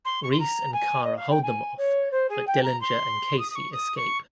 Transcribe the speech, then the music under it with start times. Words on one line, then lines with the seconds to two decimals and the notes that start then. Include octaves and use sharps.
Reese and Kara hold them off but Dillinger and Casey escape.
0.04 C6
0.22 C#6
0.31 C6
0.39 A#5
0.73 G#5
1.03 D#5
1.16 F5
1.29 G5
1.42 G#5
1.77 C#5
2.11 C5
2.29 G#4
2.47 G5
2.63 A#5
2.80 C6
3.38 D#6
3.50 D#6
3.55 C#6
3.72 D#6
3.96 C#6